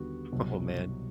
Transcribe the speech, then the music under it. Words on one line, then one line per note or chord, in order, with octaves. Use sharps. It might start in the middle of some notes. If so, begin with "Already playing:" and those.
Oh, man.
Already playing: D#2 D3 G3 B3 F#4
C2 B2 F#3